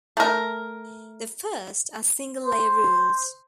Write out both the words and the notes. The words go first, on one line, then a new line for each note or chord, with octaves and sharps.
The first are single layer rules.
A3 A#4
C5